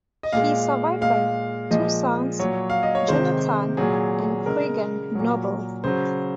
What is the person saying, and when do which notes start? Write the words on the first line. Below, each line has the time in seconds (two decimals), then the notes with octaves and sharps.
He is survived by two sons, Jonathan and Craigan Noble.
0.23 D#5
0.33 A#2 G#3 F5
1.01 A#2 G#3 F5
1.71 A#2 F3 G#3 D#5
2.39 A#2 F#3 C#5
2.70 F5
2.83 D#5
2.95 C#5
3.08 C3 D#3 G#3 C5
3.77 A#2 F#3 G#4
4.46 C#3 G#3 A#4
5.15 A#2 F#3
5.84 C#3 F#3 C5